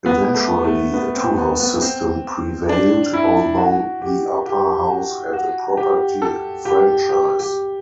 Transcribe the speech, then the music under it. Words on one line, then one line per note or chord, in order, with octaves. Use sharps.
Eventually a two-house system prevailed, although the Upper House had a property franchise.
B3
A3
A3
B3
C4
B3
B3
C4
D4
E4
F#4
G4
G4
F#4
F#4
G4
A4
G4
G4
G4